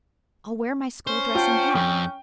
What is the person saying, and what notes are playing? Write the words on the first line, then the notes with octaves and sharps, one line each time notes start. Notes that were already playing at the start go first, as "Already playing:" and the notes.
I'll wear my school dress and hat.
C#4 C5
F4 F#5 G5 A5
F2 G5 G6